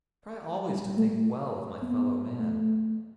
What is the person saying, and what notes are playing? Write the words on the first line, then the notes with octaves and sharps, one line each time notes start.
I try always to think well of my fellow man.
G3
A3
B3
A3